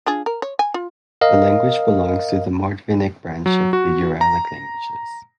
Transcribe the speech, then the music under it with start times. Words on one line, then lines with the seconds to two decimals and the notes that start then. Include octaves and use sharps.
The language belongs to the Mordvinic branch of the Uralic languages.
0.06 D4 F4 G#4
0.26 A#4
0.42 C#5
0.59 G#5
0.74 F4
1.21 A#4 D#5 F5
3.46 F#3
3.73 F#4
4.21 A#5